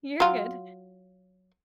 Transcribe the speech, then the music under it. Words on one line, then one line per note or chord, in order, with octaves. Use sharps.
You're good.
F#3 F4